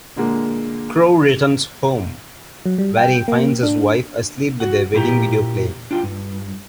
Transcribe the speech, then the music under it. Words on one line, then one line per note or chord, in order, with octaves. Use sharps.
Crowe returns home, where he finds his wife asleep with their wedding video playing.
A#2 D3 G#3 A#3
F#3
G3
G5
A#3
D4
F#4 F#5
A#2 E4 G4 G5 A#5
D4 F4 G5
G2